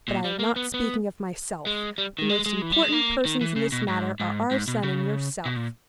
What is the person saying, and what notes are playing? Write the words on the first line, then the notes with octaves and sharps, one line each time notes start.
But I am not speaking of myself; the most important persons in this matter are our son and yourself.
A#2
G3
A#3
B3
B3
G#3
G3
D#3
G#3
G#3
E3
G3
G#3
A#3
D#3
E3
C#3
B2
G#2
G#2
G#2
B2
C#3
B2
A#2